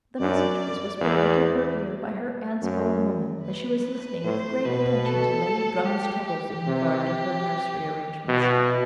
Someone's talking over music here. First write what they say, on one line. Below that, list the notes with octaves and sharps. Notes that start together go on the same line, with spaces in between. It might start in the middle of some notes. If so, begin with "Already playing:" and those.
The message was whispered into her ear by her aunt's own woman as she was listening with great attention to Lady Drummond's troubles in regard to her nursery arrangements.
F#2 D5
E2 D5
F#2
B4
B4
A2 C5
B2 B4
A4
G4
G4
C3
B2 E4